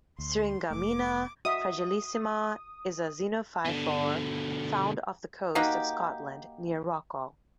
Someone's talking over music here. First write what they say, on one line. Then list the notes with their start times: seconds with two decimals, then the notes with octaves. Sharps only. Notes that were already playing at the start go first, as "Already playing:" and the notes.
Syringammina fragilissima is a xenophyophore found off the coast of Scotland, near Rockall.
0.19 D2 C6
0.70 F1 A3 D6
1.45 F#4 D#5 E5 D#6
3.65 B2 D3
5.55 A#3 D#4 F#4 G4